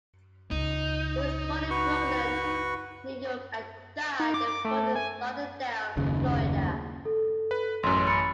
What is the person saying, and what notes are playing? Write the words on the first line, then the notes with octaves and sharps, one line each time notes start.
He was born in Brooklyn, New York and died in Fort Lauderdale, Florida.
C#2 D#4
F#4 B4 C#6
D#4
D6
D6
A3
G#5
F#1 D#2 C#3
A4
B4
A1 F#2 C6
B5 A6 C#7